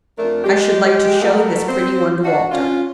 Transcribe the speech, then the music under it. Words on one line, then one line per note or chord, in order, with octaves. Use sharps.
I should like to show this pretty one to Walter.
F2 A3 D4 A#4
G#3 G4
F#3 G3 A3 A#3 F#4
C4 C5
D4 F#4
C#4 D4 F4